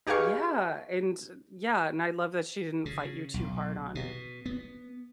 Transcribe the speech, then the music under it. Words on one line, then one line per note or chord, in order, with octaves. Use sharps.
Yeah, and Yeah, and I love that she didn't fight you too hard on it,
D#4 G4 G#4 B4 F5 C#6
C#3
B1
B2
B3